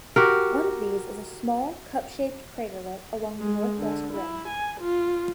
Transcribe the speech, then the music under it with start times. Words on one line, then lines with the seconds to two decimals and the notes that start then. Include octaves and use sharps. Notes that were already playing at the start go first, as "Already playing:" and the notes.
One of these is a small, cup-shaped craterlet along the northwest rim.
0.16 F#4 G4 A#4
3.40 G#3
3.79 D3
4.13 E4
4.48 G#5
4.80 F4